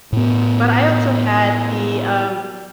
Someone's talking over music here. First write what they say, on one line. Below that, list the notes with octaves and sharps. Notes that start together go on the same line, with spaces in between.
but I also had the, um
A2 B3